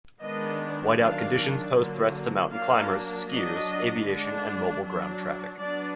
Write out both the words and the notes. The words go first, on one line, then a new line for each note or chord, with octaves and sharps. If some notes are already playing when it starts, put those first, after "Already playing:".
Whiteout conditions pose threats to mountain climbers, skiers, aviation, and mobile ground traffic.
D#3 G#3 B3 D4 D#5
D#3 F#3 D4 F5
D3 F#3 A#3
F#3 A#3 D4 F5
F#3 D4 D#5
D3 G#3 D4
F#3 D4
F#3 B3 D4 D5